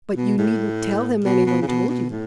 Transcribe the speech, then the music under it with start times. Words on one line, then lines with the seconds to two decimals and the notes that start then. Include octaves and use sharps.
"But you needn't tell him any one told you."
0.16 B2
0.38 A2
1.24 B2
1.46 B2
1.62 C#3
1.67 B2
1.89 B2
2.10 A2